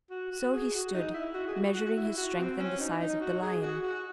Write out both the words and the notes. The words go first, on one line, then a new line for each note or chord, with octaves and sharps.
So he stood, measuring his strength and the size of the lion.
F#4
F#4
G#4
F#4
D#4
E4
F#4
G#4
F#4
F#4
F#4
E4
F#4
C4
C#4
D#4
D#4
F#4
G#4
F#4
F#4